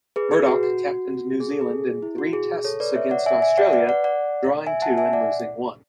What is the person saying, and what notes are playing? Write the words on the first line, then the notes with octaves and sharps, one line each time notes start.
Murdoch captained New Zealand in three Tests against Australia, drawing two and losing one.
G#4 B4
G#4 B4
F#4
F#4
G#4
A4
G#4
E4
F#4
G#4
A4 C#5
B4 D5
C#5 E5
D5 F#5
E5 G#5
E5 G#5
D5 F#5
B4 D5
D5 F#5
D5 F#5
E5 G#5
F#5 A5
E5 G#5
D5 F#5